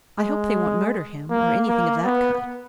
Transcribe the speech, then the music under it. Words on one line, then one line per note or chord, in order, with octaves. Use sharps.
I hope they won't murder him, or anything of that kind.
G#3
A#3
A#3
B3